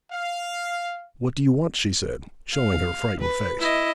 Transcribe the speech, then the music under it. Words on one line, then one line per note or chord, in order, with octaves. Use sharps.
'What do you want?' she said, showing her frightened face.
F5
F5
B4
E4 D#5